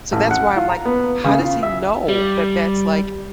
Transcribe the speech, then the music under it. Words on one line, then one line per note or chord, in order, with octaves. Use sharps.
So that's why I'm like, "How does he know that that's, like,
A1
F#5
F4
A#5
B3
C#3
F4
E5
G3